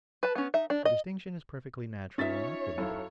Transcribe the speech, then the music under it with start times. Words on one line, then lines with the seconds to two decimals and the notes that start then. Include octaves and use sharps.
The distinction is perfectly natural and equitable.
0.23 B4 A5
0.35 B3 C#4
0.54 D#4 E5
0.70 D4
0.85 D#5
2.18 C#4 D#4 F4 C#5 E5 A6 B6
2.78 F#2 E4 A4 F5